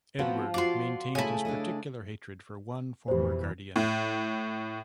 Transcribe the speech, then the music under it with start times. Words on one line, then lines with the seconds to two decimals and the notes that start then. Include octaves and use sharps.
Edward maintained his particular hatred for one former Guardian.
0.19 F3 B3 C4 F#4
0.54 F4 F#4 D5 F5 C6
1.15 C#3 A3 E4 G#5
1.45 D4 A4 D#5
3.08 F2 B2 E3 G4 C5
3.76 A2